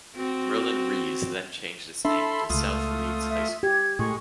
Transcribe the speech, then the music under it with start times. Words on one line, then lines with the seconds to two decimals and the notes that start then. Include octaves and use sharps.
Merlyn Rees then changed its name to South Leeds High School.
0.16 C4 F#4
2.05 D4 A4 E5 B5 C6
2.50 C#2 C#3 A3 F4 D#6
3.30 E5
3.63 G4 G#6
3.99 A2 G#3 C#6